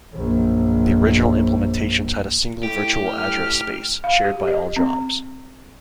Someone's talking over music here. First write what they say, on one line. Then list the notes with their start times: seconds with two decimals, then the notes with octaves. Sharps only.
The original implementations had a single virtual address space, shared by all jobs.
0.11 A#1 F#2
2.63 A2 G4
3.08 F6
4.04 F5
4.25 G4
4.48 D#5
4.76 C4